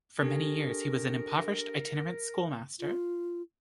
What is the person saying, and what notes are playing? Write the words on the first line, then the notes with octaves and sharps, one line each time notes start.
For many years he was an impoverished, itinerant schoolmaster.
D4 G4 A4 A#4
F4